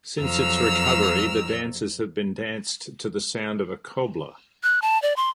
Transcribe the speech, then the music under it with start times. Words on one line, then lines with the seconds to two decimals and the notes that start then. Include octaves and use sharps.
Since its recovery, the dances have been danced to the sound of a cobla.
0.21 F2 F#3 A#5 E6 F6
4.63 F#6
4.82 A5
5.02 D5
5.17 C6